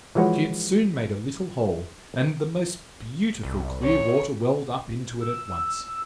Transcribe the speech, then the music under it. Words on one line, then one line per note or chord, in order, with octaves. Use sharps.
She had soon made a little hole, and the most beautiful clear water welled up into it at once.
E3 F3 G#3 F#4 B4 C#5
C2
C#5
E6